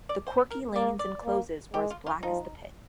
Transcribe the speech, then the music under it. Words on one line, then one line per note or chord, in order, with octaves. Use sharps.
The quirky lanes and closes were as black as the pit.
D5
C5
A#4
A#3 D5
D5
A#3
G#3 G4
F4
F4
F3 D#4